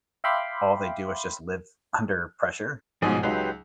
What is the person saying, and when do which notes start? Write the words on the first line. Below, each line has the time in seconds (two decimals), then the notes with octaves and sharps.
all they do is just live under pressure?
0.24 E5 F5 G5 B5 C6 D6
3.02 A1 G#2 B2 F3 G#4
3.23 C#2 F#3 D#4 G4 B4 C6